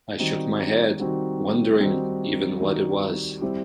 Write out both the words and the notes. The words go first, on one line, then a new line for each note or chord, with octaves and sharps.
I shook my head, wondering even what it was.
D#3 G3 C4 D#4 F#4
D#3 G3 C4 D#4 F#4
D#3 G3 C4 D#4 F#4
D#3 G3 C4 D#4 F#4
G3 C4 E4 G4